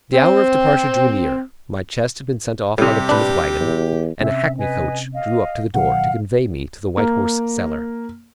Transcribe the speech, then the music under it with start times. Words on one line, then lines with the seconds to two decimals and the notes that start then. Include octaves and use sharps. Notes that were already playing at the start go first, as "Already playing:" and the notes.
The hour of departure drew near; my chest had been sent off by the Plymouth waggon, and a hackney-coach drew up to the door, to convey me to the White Horse Cellar.
0.13 C4
2.78 A2 C3 G3 G4
3.09 D4 B4
3.60 E2
4.21 C3 C4 C#4 E5
4.58 B4 D#5 G#5
5.13 D#5 F5
5.74 B2 D#3 F#3 F5 F#5
6.97 A#3